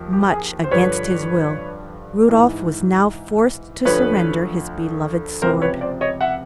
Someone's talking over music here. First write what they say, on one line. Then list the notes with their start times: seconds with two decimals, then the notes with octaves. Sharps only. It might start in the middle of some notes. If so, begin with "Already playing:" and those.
Much against his will, Rudolf was now forced to surrender his beloved sword.
Already playing: D#2 F3
0.13 G4
0.32 G#4
0.64 C5
0.71 G2 D3 F3 B4 C#5
2.28 G#2 E3
3.85 D2 D3 F3 B4 C#5
5.42 C#2 C3 F3 A#4 C5
5.62 B4 C#5
5.81 C5 D5
6.01 C#5 D#5
6.21 E5 F#5